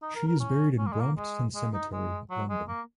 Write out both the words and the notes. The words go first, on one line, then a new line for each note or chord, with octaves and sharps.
She is buried in Brompton Cemetery, London.
D#4
A#4
A#4
C#4
C#4
A#3
G#3
A#3
G#3
G#3
D#4
G#3
F#3
G#3
A#3